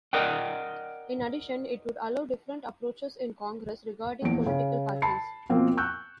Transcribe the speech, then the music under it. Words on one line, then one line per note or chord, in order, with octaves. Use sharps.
In addition, it would allow different approaches in congress, regarding political parties.
A#4 D5 D#5 F#5 G5
A#1 E2 D7
C#3
A5 B5 C7
B2 F3 A#3 C4
C#6 E6 F#6 G6